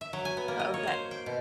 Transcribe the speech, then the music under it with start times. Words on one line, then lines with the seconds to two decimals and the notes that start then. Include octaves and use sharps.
Oh, that
0.01 E5
0.13 F#3
0.25 G#5
0.37 B3
0.48 A#3
0.59 D#5
0.74 C#5
0.87 C5
1.11 G5
1.26 B2